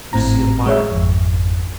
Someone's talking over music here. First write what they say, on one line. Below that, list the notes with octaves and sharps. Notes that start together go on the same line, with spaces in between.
We see a fire.
G#1 A2 C4 A#5
G#3 C#5 E5
G#1 F2